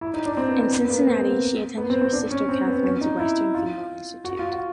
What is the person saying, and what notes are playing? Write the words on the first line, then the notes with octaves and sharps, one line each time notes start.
In Cincinnati she attended her sister Catharine's Western Female Institute.
E4
D#4
D4
C4
B3
C4
B3
B3
A#3
C4
B3
B3
B3
C4
C4
D4
C#4
C4
B3
C4
C#4
D#4
E4
F4
F#4
F4
F#4